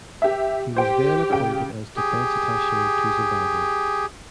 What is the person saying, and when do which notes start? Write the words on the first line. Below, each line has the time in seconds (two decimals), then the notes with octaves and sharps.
He was then appointed as Defence Attache to Zimbabwe.
0.22 G4 E5
0.76 G4 C5 G5
1.30 C#3 G5
1.96 G4 G#4